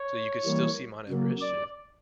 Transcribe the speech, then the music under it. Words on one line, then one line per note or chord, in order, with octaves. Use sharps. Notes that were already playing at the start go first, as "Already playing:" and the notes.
so, you could still see Mount Everest, yeah.
Already playing: C#5
E3 G3 A#3
C#3 F#3 A#3
D5